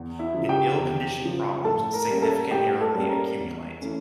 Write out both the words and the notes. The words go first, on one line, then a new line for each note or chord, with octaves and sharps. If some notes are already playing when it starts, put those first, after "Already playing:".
In ill-conditioned problems, significant error may accumulate.
Already playing: E2
E4 E5
C#3 F3
G4 G5
E2
C#3 F3
A2 A4 A5
A#4 A#5
G3 A#3 C#4
A#5
A4 A5
A2 G4 G5
A4 A5
G3 A#3 C#4
A#4 A#5
E2
E3 A3 C#4